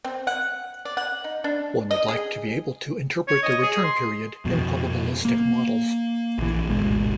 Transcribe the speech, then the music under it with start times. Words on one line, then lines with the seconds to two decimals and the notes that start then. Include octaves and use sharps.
One would like to be able to interpret the return period in probabilistic models.
0.04 C4
0.27 F#5
0.85 D5
0.97 F#5
1.24 D#4
1.44 D4
1.91 D#5
2.08 G#4
3.28 C#5
3.43 D#5
3.63 G#4
3.84 C6
4.45 F2 B2
5.25 A#3
6.38 A#1 E3
6.69 D1 G#1 B2 G#3